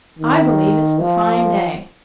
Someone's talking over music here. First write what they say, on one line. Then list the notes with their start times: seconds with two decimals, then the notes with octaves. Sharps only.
I believe it's the fine day.'
0.19 D#3
1.00 F3